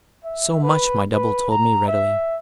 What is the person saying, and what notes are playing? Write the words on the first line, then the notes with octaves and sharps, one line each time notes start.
So much my double told me readily.
E5
B4
B4
A#5
E5